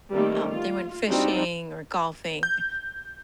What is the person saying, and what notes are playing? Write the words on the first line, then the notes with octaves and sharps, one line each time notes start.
um, they went fishing or golfing.
D#3 G3 A3 A#3 C4 G4
F4
G3 C4 D4 D#4 F4 F#4
G6